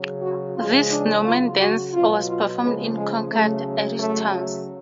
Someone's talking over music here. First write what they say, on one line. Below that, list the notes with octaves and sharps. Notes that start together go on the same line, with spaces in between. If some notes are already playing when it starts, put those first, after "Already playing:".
This Norman dance was performed in conquered Irish towns.
Already playing: C#3 F#3
F#4
C#3 F3 G#3 F4
D4
C#3 F#3 F4
F#4
B2 F#3 F4
F4
C#3 F3 G#3 B3
G#3
C#3 F#3 A3
C#3 F#3 A3